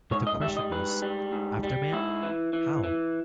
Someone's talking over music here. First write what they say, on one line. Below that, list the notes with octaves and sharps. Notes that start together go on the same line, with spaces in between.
But the question is: After Man, how?
G#2 C#5
D#5
G3 E5
D#5
G#2 B4
G3
G#2
G3
G#2 E4
E3
E3
E3